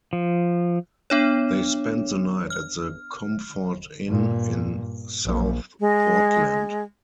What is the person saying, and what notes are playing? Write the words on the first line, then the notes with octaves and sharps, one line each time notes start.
They spent the night at the Comfort Inn in South Portland.
F3
B3 D4 C#5
F6
G2 A#2
A#1 A#2
G#3